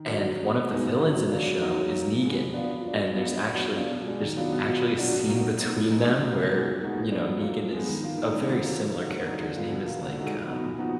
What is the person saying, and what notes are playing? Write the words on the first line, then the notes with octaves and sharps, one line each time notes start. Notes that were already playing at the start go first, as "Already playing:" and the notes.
and one of the villains in the show is Negan and there's actually there's actually a scene between them where, you know, Negan is a very similar character. His name is like, um,
Already playing: D#3
F#3 A#3 D4 F#4
F#3
B3 D4
B2
G#3 B3 D#4
D3
F#3 B3
F#3
D4 F4
F#3
A#3 D#4 F#4
F#3
A#3 D#4
A#2
G#3 B3
F3
B3 D4 F4
F#3
D4 F4
F#3
B3 D4 F4
F3
B3 D4 F#4
F#3
B3 D4 F4
B2
G#3 D4
D#3
F#3 B3 D4 F4
B2
F#3 B3 F4
B2
F#3 A#3 D4 F#4
B2
F#3 A#3 D#4 F#4
F#3
B3 D#4 F#4
F3
G#3 B3 D#4
D3
F#3 B3
B2
G#3 D#4 F#4
A#2
G#3 B3 D#4 F#4
F3
B3 D4
F#3
A#3 F4
F3
G#3 B3
D#3
A#3 F4
D#3
G#3 B3 D4
D3
F#3 A#3 F4
F#3
A#3 D#4 F#4
D3
F#3 A#3 D#4 F#4
D3
F3 B3 F4
B2
A#3 F4
D3
G#3 D#4 F#4
F3
B3 D#4 F#4
A#2
F3 B3 D#4 F#4